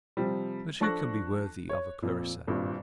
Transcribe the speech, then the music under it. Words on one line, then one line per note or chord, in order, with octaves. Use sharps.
But who can be worthy of a Clarissa?
C3 F3 G3
F3 D4 A4 C#6 F#6 A#6
C#5
F2 A#2
G#1 G2 A#2